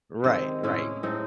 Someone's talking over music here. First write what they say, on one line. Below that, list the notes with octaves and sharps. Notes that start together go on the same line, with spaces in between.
Right, right.
C3 D#3 G#3
A2 G#3 C#4 E4
A2 G#3 C4 D#4